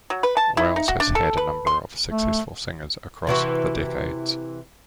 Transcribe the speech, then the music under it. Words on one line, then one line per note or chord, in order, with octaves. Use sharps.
Wales has had a number of successful singers across the decades.
F#3
B4
A5
E4
D#4
F#4
D4
A4
B4
C6
A3
C3 E3 F#4